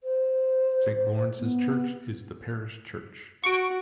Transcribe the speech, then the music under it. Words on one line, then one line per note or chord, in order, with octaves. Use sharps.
Saint Lawrence's Church is the parish church.
C5
B3
F#4 C#6 D7